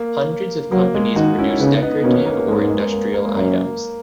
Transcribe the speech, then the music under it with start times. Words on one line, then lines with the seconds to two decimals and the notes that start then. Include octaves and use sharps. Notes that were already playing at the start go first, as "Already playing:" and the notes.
Hundreds of companies produced decorative or industrial items.
Already playing: A#3
0.72 F#3 A#3
0.94 G#3
1.16 D#3 D#4 F#4
1.38 C#4 E4
1.50 E4
1.60 C#3 B3 D#4
1.82 B3 D#4
2.04 B2 A#3 C#4
2.26 A#3
2.48 G#2 G#3
2.70 G#3
2.92 A#3
3.14 A#3
3.25 G#3
3.36 F#2 A#3